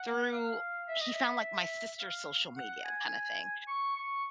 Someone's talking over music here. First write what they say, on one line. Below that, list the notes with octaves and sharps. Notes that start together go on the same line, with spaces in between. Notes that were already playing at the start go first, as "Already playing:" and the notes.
through, he found like my sister's social media kinda thing.
Already playing: F#5
F5
E5
D#5
E5
F5
F#5
G#5
C#6
C#6